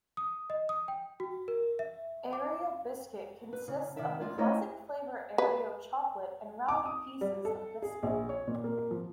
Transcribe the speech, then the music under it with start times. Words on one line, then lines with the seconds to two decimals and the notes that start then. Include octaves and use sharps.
Aero Biscuit consists of the classic flavour Aero chocolate and round pieces of biscuit.
0.17 D#6
0.50 D#5
0.69 D#6
0.88 G5
1.20 F#4
1.48 A#4
1.79 E5
2.33 D6
3.53 B4
3.68 C#3
3.96 C3 D#3 D5 E5 A5
4.20 G#3 F4 D5
4.38 A3 C#4 E4 C5 C#5 D#5
5.38 B4
6.68 D6
6.86 D#6
7.21 G3
7.45 A4
7.82 G#4
8.03 A#1
8.29 C#5
8.47 A#2
8.64 A#3
8.91 F3